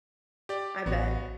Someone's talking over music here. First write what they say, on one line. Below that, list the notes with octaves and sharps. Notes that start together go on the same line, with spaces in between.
I bet.
G4 D5
A1 B3 F#4